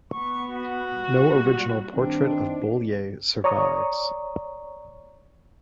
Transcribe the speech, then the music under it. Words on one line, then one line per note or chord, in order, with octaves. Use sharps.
No original portrait of Bolyai survives.
B3 C#6
F#4
A#2 G3
G2 D#3 C4 D4
C#5 D5 A#5 C#6 D#6